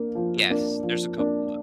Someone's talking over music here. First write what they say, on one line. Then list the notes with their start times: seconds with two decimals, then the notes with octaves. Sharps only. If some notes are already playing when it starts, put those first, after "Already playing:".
Yes. There's a couple of
Already playing: A#3 D4
0.15 F3
0.49 A#3 D4
0.83 F3
1.18 A#3 D4